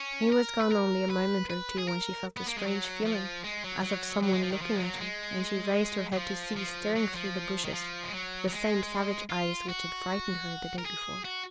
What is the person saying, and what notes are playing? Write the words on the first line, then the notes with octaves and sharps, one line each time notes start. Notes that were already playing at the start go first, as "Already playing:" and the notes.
He was gone only a moment or two when she felt a strange feeling as of some one looking at her, and she raised her head to see, staring through the bushes, the same savage eyes which had frightened her the day before.
Already playing: C#4
A#4
B4
A#4
B4
B4
G#4
A#4
B3
A#3
G#3
F#3
F3
G#3
F#3
F#3
F#3
G#3
F3
D#3
F3
G#3
F#3
A#3
G#3
F#3
F3
F3
F#3
F3
D#3
F3
G#3
F#3
F#3
G#3
F4
F#4
A#4
G#4
F#4